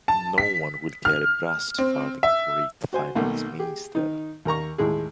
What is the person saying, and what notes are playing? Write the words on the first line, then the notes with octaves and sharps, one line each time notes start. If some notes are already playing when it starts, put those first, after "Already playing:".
No one will care a brass farthing for it Finance minister.
A5
B6
F6
C4
E5
F#4 C5 G#5
B1 D#3 A3 A#3
G4 G#4
D#3 D#4
D#2 A#4 A#5 C#6
D#2 A2 G#3 G#4